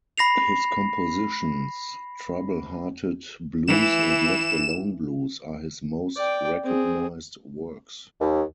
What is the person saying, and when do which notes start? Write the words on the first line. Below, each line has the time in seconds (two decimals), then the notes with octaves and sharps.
His compositions "Trouble Hearted Blues" and "Left Alone Blues" are his most recognized works.
0.18 B5 A#6 C7 F7
3.68 E3 E7
6.17 D5 G5
6.63 C4 G#4
8.21 D#2